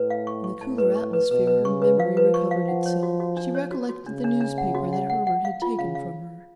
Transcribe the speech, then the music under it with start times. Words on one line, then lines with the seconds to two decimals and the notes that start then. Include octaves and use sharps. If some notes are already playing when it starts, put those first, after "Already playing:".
In the cooler atmosphere her memory recovered itself; she recollected the newspaper, that Herbert had taken from her.
Already playing: A2 B4
0.10 F5
0.27 C#6
0.44 C#6
0.61 A2 A5
0.78 B4
0.96 C#6
1.13 B4
1.31 B2 B4
1.47 B4
1.65 C#3 C#6
1.82 B4
1.99 F3 F5
2.17 B4
2.34 C#6
2.51 F5
2.68 F#5
2.86 C#5
3.03 F#4
3.20 F#4
3.37 D4
3.55 C#5
3.71 F#4
3.89 F#4
4.06 C#3 D4
4.24 D4
4.41 D4
4.58 F#5
4.75 F#4
4.93 F#5
5.10 F#5
5.27 F#5
5.45 F5
5.62 F4
5.79 C#3 F5
5.95 F5